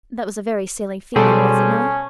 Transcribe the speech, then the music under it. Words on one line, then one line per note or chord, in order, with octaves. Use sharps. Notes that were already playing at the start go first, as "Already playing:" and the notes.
That was a very silly feeling, was it not?
B2 G3 C#4 G#4 A4 C5 D5